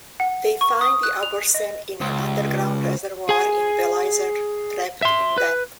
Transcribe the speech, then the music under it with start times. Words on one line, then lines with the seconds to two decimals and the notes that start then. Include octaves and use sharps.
They find the Abhorsen in an underground reservoir in Belisaere, trapped in Death.
0.20 F#5
0.61 C#6
0.81 D#6
1.03 F#6
1.23 F7
1.54 D#5
2.01 C#2
3.29 G#4 G#5
5.02 E5 C6
5.38 B4